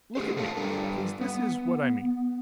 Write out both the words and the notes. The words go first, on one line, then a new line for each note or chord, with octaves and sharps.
Look at me, please--this is what I mean....
A3 G4 G#4 C5
A4 A#4 C5 C#5 F5 A5
G3 D4 A4
B3